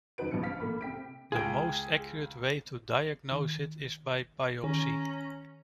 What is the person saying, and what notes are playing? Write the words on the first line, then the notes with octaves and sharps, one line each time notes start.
The most accurate way to diagnose it is by biopsy.
F#1 G#2 D#4 F#4 B4 D7
A#1 G2 B2 F#3 C#7
F5 F6 B6
A#1 A3 A#3 B5
C3 G5 B6 D7
C#2 F4 G#4 G5
D#3
D#3 C#4 G#4 C#5 A#5